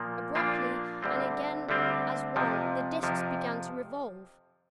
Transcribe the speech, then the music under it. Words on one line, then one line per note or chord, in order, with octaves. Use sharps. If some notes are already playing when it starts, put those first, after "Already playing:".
Abruptly, and again as one, the disks began to revolve.
Already playing: A#2 F3 A#3
A#2 F3 A#3 D4 F4
D2 D3 G3 C4
D2 D3 G3 C4
F2 C3 F3
F2 C3 F3